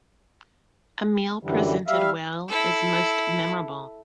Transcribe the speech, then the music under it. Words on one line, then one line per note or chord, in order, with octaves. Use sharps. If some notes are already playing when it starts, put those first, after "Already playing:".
A meal presented well is most memorable.
F#2 D3 E3 G3
G3 E5 F5
E4 A4